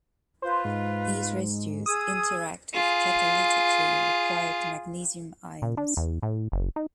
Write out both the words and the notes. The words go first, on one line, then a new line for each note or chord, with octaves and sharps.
These residues interact with catalytically required magnesium ions.
F4 B4 C5
G#2
G#4 D#6 E6 G#6
F4 G#4
A#2
D4
E2
A2
F#1
D#4